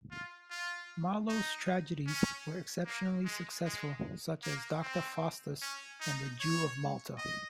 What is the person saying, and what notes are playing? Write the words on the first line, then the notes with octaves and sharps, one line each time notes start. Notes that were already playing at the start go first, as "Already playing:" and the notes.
Marlowe's tragedies were exceptionally successful, such as "Doctor Faustus" and "The Jew of Malta".
F4
F4
D#4
C#4
A#3
G#3
G#3
A#3
C4
C#4
D#4
C#5
D#5